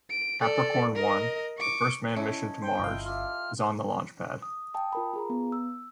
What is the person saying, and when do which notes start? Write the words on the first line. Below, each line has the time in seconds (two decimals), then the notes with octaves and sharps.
Capricorn One-the first manned mission to Mars-is on the launch pad.
0.11 D7
0.42 A4 D5
0.95 A#4 D#5
1.58 C#6 D6
2.16 C#4 E4 A4 D#5
2.62 C5 G5
2.80 G1 E4 F4 D#5 F5
3.05 F4 G4 E5 F6
4.42 D#6
4.74 G5 A5 D#6
4.93 F4 A#4 B5
5.13 F4 G#4 A#5
5.30 B3
5.52 E6